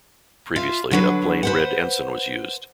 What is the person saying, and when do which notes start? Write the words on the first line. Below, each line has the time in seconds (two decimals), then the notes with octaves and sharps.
Previously a plain red ensign was used.
0.56 F4 E5
0.91 D3 F#3 B4
1.43 B4 C5 F#5